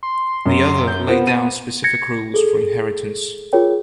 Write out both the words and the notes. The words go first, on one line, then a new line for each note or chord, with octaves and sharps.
The other laid down specific rules for inheritance.
C6
F#2
G6
B3 F4 A#4 C5
D#7
G#6 A#6 C#7
G#4 A4
F4 G#4 A#4 C#5 G5